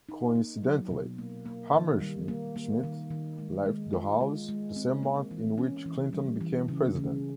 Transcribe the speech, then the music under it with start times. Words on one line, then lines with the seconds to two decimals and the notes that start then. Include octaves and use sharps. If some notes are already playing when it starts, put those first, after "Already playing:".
Coincidentally, Hammerschmidt left the House the same month in which Clinton became president.
0.09 D#4
0.35 A#3
0.64 F#3
0.90 B2
1.18 A#3
1.45 A#3
1.74 D#3
2.01 G3
2.28 A#3
2.56 A#3
2.83 D#3
3.11 D#3
3.38 G#3
3.66 G#3
3.93 F4
4.21 G#3
4.49 G#3
4.76 C4
5.03 A#3
5.31 E3
5.58 C#4
5.86 E3
6.13 G3
6.41 E3
6.68 C#3
6.95 C#3